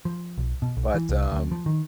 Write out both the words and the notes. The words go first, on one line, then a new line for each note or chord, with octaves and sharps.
But, um,
F3
B1
B2
B1
E3
C2
D2
F3
D#3